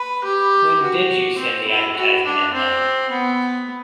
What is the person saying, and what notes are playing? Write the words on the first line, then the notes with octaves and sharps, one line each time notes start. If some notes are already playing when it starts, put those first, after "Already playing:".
When did you send the advertisement in, then?
Already playing: B4
G4
F#4
C4
E4
F#4
D4
C4
B3